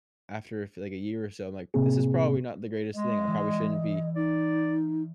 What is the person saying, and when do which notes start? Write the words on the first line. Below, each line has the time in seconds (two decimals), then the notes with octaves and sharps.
after a f like, a year or so, I'm like, "This is probably not the greatest thing. I probably shouldn't be
1.74 A2 C3 A#3 C4 G#4
2.95 G#3 D#5
3.27 E3 G3
4.16 D#4 D5